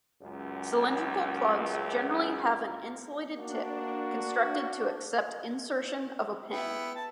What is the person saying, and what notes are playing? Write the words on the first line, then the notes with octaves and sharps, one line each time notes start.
Cylindrical plugs generally have an insulated tip constructed to accept insertion of a pin.
C#2 F#2
A#3 D4 F#4
B3 E4 G5
A5